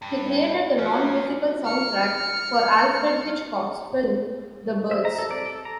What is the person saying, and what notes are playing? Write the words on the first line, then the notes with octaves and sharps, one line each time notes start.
He created the non-musical soundtrack for Alfred Hitchcock's film "The Birds".
G2
F#3 C#4 F4 F#4
F6 C#7
E5
A#5
A4
D5
A4
A#5